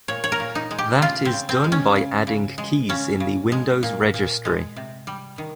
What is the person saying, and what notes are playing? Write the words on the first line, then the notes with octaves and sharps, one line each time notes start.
That is done by adding keys in the Windows Registry.
A#2 C#5
C#5
A#4
A#2
D#4
G#3
G4
C#3 F4
C4
C#3
C4
G#3
C#4
C#3
C#3
G#3
C#3 C#4
C#3
G#3
A#2
A#2
G#3
C3
G3
D#3